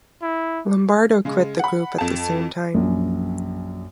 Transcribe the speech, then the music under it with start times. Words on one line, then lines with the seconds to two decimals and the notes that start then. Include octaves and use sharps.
Lombardo quit the group at the same time.
0.22 E4
1.25 C#3 G#3
1.59 F#5 B5
1.98 F2 A5
2.74 A#1 F#2